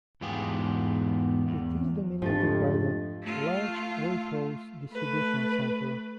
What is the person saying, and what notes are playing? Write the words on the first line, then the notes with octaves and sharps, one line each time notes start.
It is dominated by the large Waitrose distribution centre.
E2 G#2 B3 F4 G4 G#4
E2
F2 G#2 F3 A3 D4 G4 A6
A3 F4
A3 B4